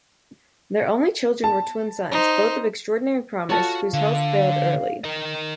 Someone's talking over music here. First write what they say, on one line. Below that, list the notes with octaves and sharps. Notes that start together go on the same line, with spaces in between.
Their only children were twin sons, both of extraordinary promise, whose health failed early.
A5
D#4 C5
F4 F#4 A4 C#5
D3 F5
A#4 D#5